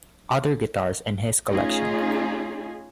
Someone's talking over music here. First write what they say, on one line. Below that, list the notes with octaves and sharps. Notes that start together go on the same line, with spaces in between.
Other guitars in his collection.
A3 C#4 D#4 F4 G#4